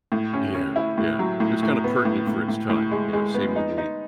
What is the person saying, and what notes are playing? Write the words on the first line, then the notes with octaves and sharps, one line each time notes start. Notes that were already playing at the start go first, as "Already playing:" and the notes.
Yeah. Yeah. It was kinda pertinent for its time, you know, seemingly
A2
C#4
C#4
E4
A2
F#3
A2
A2
B3
A2
A2
A2
A2
G#3
G#3
B3
D#4
D#4